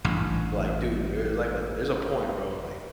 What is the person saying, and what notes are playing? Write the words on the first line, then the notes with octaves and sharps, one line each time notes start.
But, like, dude, there's like a there's a point, bro, like,
A1 G2